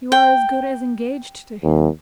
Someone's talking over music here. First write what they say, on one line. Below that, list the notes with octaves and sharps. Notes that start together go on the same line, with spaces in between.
You are as good as engaged to him.
G5
D#2